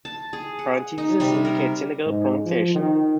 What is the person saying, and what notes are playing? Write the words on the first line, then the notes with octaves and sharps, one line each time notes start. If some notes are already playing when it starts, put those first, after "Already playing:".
Parentheses indicate Senegal pronunciation.
A5
G#4
F#5
D#4
C3 G3
A#4
G#2
F3
D#3